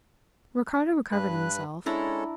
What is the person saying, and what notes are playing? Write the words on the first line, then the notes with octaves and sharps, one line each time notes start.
Ricardo recovered himself.
G2 B4 F#6
G#3 C#4 D4 E4 A4 A#5